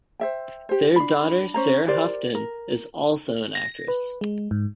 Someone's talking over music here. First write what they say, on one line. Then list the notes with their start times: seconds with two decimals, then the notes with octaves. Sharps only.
Their daughter Sara Houghton is also an actress.
0.20 C5 E5 G5
0.69 G4 C5
0.96 D4 B5
1.54 C#4 C5 A#5
1.88 G4 A#4 C5 D5
2.35 A#4
3.55 A#6
3.88 B4
4.21 G#3
4.51 G#2